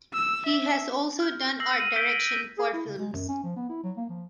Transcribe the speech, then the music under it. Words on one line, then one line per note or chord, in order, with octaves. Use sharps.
He has also done art direction for films.
E6
E5
F6 G6
E6 A#6 C7 F#7
D#7 F#7
E6 G6 G#6 B6 D7 G7
G#4
E4
C#3
G#3
F#2
C#4
F3
B3
E4
F#3
A#3
F3